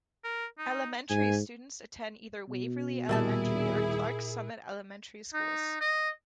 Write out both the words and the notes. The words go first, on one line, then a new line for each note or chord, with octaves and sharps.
Elementary students attend either Waverly Elementary or Clarks Summit Elementary schools.
A#4
D#4
G#2 G#5
B2
D#2 A#2 G3 E4 G#4 A#4 A5 E6
D#4
D#5